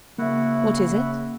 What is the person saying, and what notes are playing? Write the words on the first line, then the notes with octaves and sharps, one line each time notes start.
What is it?
C#3 A#3 E4 F#4 E5 F#5